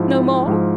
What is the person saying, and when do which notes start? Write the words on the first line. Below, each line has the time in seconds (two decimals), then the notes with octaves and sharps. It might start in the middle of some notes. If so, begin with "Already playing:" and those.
"No more?"
Already playing: G#2 F3 E4
0.48 G#2 F3